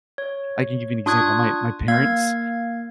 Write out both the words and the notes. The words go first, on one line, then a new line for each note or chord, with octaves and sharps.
I can give you an example, my my parents,
C#5
D4 F4 C#6 D#6 F#6 G#6
A#3 F5 G#6